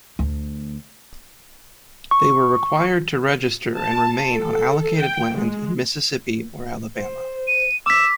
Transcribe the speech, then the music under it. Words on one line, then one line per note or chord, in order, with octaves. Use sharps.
They were required to register and remain on allocated land in Mississippi or Alabama.
D2
C#6
A5
A4
G5
G#3
C5
D#7
D6 E6 B6 E7